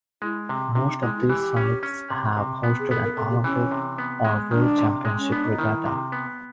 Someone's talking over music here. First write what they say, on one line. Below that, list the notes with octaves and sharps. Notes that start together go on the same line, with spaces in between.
Most of these sites have hosted an Olympic or world championship regatta.
G#3 E4
C3
C3 D4
D#4
G#3 E4
E4
E3 G4
C#4
C#4
C3
C3
B3
G#4
B3 A4
A#4
C3 A4
G4
E3 C#4
C3
B3
G#3
D#3 D4
C3
G#3
C#4
B3 D4
D#4
D#3 E4
C3
B3